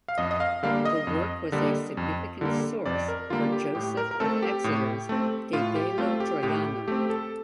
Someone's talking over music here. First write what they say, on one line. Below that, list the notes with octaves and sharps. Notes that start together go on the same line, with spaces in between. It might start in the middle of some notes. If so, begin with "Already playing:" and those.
The work was a significant source for Joseph of Exeter's "De bello Troiano".
F5
F2 D#5
D#5
F5
D3 G3 A#3 F5
D#5
F2
D3 G3 A#3
F2
D3 G3 A#3
F2 D5
A#4
D3 G3 A#3 F4
G4
A2 G4
A#4
A#4
A3 C4 A4
G4
A2
A3 C4
A2 F4
G4
A3 C4 F4
G4
A2 G4
G4
A3 C4 G4
A4